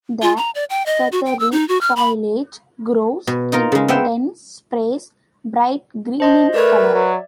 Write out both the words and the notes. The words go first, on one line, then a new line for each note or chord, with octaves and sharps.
The feathery foliage grows in dense sprays, bright green in color.
F4
A#5
D5
G5
D#5
F#4
G5
E6
D#4
F#4
F6
B5
B2
D#4 F4 A#4
C#3 G#3
B3 C4 E5 F5 G5
C5 D#5 A5 C6
A3 A#4 B4 D5 E5 G#6
F#3